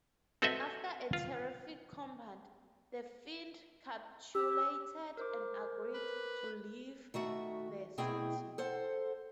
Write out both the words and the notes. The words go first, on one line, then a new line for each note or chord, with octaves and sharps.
After a terrific combat, the fiend capitulated and agreed to leave the city.
C4 F#4 A4 B4 D#5 E5
F4
G4 E6
A#4 C5 D6
B4
D#3 A3 F#4 E5
B2 A3 C4 E4 G#4 G5
A4 C5 F#5